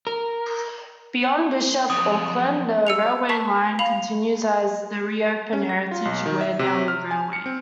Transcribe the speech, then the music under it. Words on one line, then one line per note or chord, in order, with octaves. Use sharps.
Beyond Bishop Auckland, the railway line continues as the re-opened heritage Weardale Railway.
A#4
F2 F#3 D#6
E6 C#7 F7
A5 C#6 B6
F5 B5 F7
C#4
A#6
F4
B1
D#3
E5
C3
F6
G#5
C#7
C4